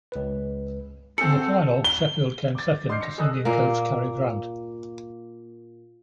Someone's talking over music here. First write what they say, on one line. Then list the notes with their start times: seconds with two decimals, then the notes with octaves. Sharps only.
In the final, Sheffield came second to singing coach Carrie Grant.
0.12 C#2 B4
1.18 C4 F#4 A4 A5 C#7
1.84 G7
2.55 D6 A6
2.89 D#5 C6 D6 F6 G6 C7
3.01 A#6 C#7
3.18 G#4 A4 D#5 D#6 E6 F#6
3.45 A#2 A#3